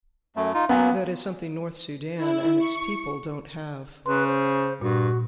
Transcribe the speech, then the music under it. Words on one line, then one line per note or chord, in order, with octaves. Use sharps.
That is something North Sudan and its people don't have.
F#2 A3
D#4 F4
F#3 A#3 B3 C#4
E4
C#6
C#3 B4 C6
C5
G2 A#2 F#4